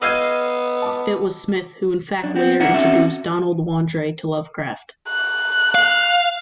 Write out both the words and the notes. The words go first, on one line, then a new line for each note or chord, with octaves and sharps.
It was Smith who in fact later introduced Donald Wandrei to Lovecraft.
B3 D#5 F5 E6 G#6 D#7
A5 D6
F#2 D4
B3 C4
C2 D3 D#4 E4 F#5
C4 C#4 F#4 A4 E5
F#6
F5